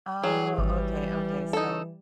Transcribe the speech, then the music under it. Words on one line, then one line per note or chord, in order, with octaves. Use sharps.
Oh, okay, okay, so
E3 F#3 G#4
G#1 G3
D#4 A4